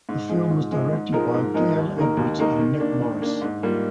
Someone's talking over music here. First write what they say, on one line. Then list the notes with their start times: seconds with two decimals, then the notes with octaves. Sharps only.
The film was directed by Gale Edwards and Nick Morris.
0.09 G#2
0.29 F3 G#3
0.50 G#2
0.71 F3 G#3
0.93 G#2
1.12 F3 G#3 D#4 A#4
1.34 G#2
1.54 F3 G#3 D#4 A#4
1.76 D#2
1.96 D#3 A#3 D#4 A#4
2.17 D#2
2.38 D#3 A#3 D#4 A#4
2.59 D#3
2.80 A#3 D4
3.01 D#3
3.22 A#3 D4
3.41 G#2
3.63 G3 A#3 F4